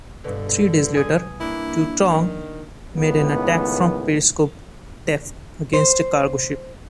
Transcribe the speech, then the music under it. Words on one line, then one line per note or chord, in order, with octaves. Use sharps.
Three days later, "Tautog" made an attack from periscope depth against a cargo ship.
G2 B2 D3
G#5 D#6
A#3 D4 E4
D#3
C#2 A2 D#3 B3
C5